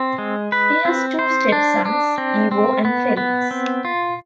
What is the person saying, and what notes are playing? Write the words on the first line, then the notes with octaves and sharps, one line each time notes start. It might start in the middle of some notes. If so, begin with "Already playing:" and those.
He has two stepsons, Ivo and Felix.
Already playing: C4
G#3
B4
C4
C5
D4
D4
C4
C4
B3
B3
C4
F4